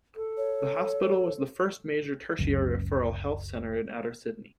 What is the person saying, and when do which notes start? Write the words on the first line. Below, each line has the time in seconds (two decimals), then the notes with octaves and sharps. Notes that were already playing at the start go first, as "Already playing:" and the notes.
The hospital was the first major tertiary referral health centre in outer Sydney.
0.16 A4
0.37 C#5
2.38 F#1 C#2